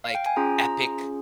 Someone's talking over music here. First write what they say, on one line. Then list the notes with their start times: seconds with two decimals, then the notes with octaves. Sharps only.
like, epic
0.04 F5
0.15 G5
0.26 G#5
0.36 C#4 F4 G#4 A#5
0.61 A#5